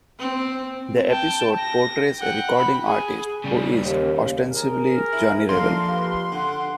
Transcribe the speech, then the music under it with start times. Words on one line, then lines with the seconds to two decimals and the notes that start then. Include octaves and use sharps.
The episode portrays a recording artist who is ostensibly Johnny Rebel.
0.20 C4
1.11 G5 A5
1.59 A#6
2.19 F#5 G5
2.51 B5
2.87 G#4
3.44 C#3 G3
3.74 D#2
4.48 G#4 A#4
5.13 E4
5.49 F2 A#3 D4 F5 C6
5.90 F4 G4 B4
6.32 D3 F#5